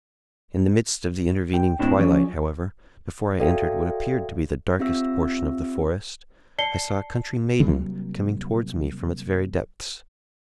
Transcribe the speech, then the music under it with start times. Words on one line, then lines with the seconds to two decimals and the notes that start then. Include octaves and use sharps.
In the midst of the intervening twilight, however, before I entered what appeared to be the darkest portion of the forest, I saw a country maiden coming towards me from its very depths.
1.54 G5
1.79 A2 C4 D4 E4
1.99 F3 C#4 G#4 D5
3.39 F#4 A4 D5 E5 F5 G5
4.79 C4 F4 G4 E5 E6
6.58 D5 A5 C7 C#7 G7
7.60 C3 F#3 G3 A#3